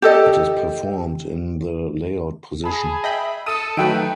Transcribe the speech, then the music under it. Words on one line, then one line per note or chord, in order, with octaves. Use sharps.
It is performed in the layout position.
G4 A4 D#5
G#4 A5 B5
D#5 E5 G5 B5
A4 D#6 D#7
D#3 F#3 A3 D#4 A4 B4 G5 D7